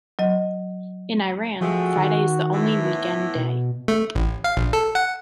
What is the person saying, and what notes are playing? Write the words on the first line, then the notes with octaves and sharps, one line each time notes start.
In Iran, Friday is the only week-end day.
F#3 D#5
F3 G#3 A3 C4 F#4
D#3
A2 E3
B3
B2
A3
A1
F5
A#1
A4
F#5